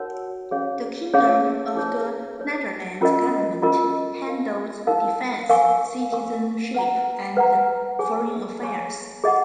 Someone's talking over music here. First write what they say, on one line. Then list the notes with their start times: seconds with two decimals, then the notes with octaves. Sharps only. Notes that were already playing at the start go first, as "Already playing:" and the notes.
The 'Kingdom of the Netherlands' Government handles defense, citizenship and foreign affairs.
Already playing: D#4 F#4 A#4 C#5 F#5
0.51 C#4 G#4 C#5 F5
1.13 C#4 G#4 C#5 F5
1.76 D#4 G#4 C#5
2.38 D#4 G#4 C#5
3.01 C#4 F4 A#4 D#5
3.62 C#4 F4 A#4 D#5
4.25 D#4 A#4 F5
4.87 D#4 A#4 F5
5.49 A#4 F5 G#5 C#6
6.12 A#4 F5 G#5 C#6
6.74 B4 F#5 A#5
7.37 B4 F#5 A#5
7.99 G#4 C#5 G#5 C#6
8.61 G#4 C#5 G#5 C#6
9.24 G#4 D#5 F#5